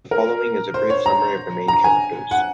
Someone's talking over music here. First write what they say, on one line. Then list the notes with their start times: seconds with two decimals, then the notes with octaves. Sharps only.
The following is a brief summary of the main characters.
0.11 A#4
0.74 C5
0.90 C#5
1.06 A#5
1.68 A#5
1.84 G#5
2.31 F#5